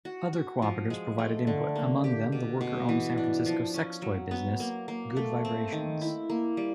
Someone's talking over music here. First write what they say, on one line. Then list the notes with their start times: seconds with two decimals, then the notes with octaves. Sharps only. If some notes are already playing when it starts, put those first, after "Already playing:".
Other cooperatives provided input, among them the worker-owned San Francisco sex-toy business Good Vibrations.
0.05 F#4
0.33 F#4
0.62 F3
0.90 G#3
1.18 A3
1.47 D3
1.76 A#3
2.04 G4
2.32 B2
2.61 B2
2.89 E3
3.18 D4
3.46 F3
3.74 C#4
4.02 F#3
4.31 B3
4.60 A#3
4.88 A#3
5.17 A3
5.45 C4
5.72 D#3
6.01 E4
6.30 A#3
6.57 G3